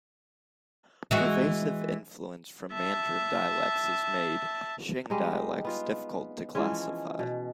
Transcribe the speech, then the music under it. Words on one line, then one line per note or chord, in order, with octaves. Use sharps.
Pervasive influence from Mandarin dialects has made Xiang dialects difficult to classify.
E3 G#3 F#4
E5 A5
G3 G#3 D#4
B3 F4
E3 F3 G#3 C#4
B2